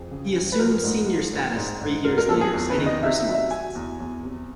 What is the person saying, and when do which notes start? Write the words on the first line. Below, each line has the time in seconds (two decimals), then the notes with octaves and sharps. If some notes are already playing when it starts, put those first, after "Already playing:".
He assumed senior status three years later, citing personal reasons.
Already playing: F2 G#4
0.11 C#3
0.36 F2
0.52 B4
0.59 F3 A#4
0.84 G#2
1.09 F3
1.33 G#2
1.56 G#2
1.80 G#2
2.05 G#2 A#4
2.18 A#4
2.29 F3 A4
2.41 G#4
2.54 E2
2.70 B4
2.78 D#3
2.86 D#5
3.03 C3 E5
3.19 E5
3.27 F#3
3.35 E5
3.51 F#3 G#5
3.75 E2
4.00 E2
4.23 C3